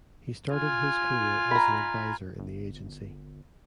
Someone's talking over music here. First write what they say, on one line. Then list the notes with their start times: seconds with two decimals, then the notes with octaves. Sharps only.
He started his career as an advisor in the agency.
0.53 F4 G#5
1.51 A#5 B5
2.39 G1